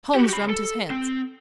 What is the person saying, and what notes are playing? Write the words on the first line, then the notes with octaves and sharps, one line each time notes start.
Holmes rubbed his hands.
F#4 G4
C#3 B5
A4
C4